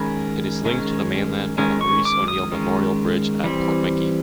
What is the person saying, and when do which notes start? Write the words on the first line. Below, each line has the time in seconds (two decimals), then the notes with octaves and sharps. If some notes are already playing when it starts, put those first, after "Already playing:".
It is linked to the mainland by the Maurice O'Neill Memorial Bridge at Portmagee.
Already playing: D#3 G#3 C#4 B5
0.65 D#3 G#3 C#4
1.58 D#3 G#3 C#4
1.81 C#6
2.05 D6
2.28 D#6
2.51 D#3 G#3 C#4
3.44 E3 G3 C4